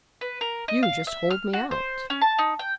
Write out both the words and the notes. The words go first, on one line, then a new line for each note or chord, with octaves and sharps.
"You just hauled me out."
B4
A#4
D#5
F5
E5
F6
F#4
C5
C#4
A5
D#4
G5